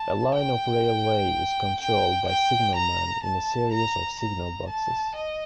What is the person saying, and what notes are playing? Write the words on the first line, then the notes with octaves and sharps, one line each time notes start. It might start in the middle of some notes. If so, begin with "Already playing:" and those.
A line of railway is controlled by signalmen in a series of signal boxes.
Already playing: A5
G5
G5
G5
A#5
A5
A#5
A#5
A5
D#5